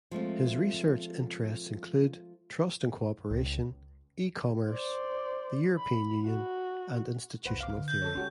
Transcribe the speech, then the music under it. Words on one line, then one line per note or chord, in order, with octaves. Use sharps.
His research interests include, trust and co-operation; E-commerce; the European Union; and institutional theory.
F3 G#3 A3 C4
C#2
C5 D5
B5
F#4
F#1 C2 B4 C5 F#5
F5 D6
D3 B3
G6
A4 C#5
G3 G#3 C#4 F#4 G4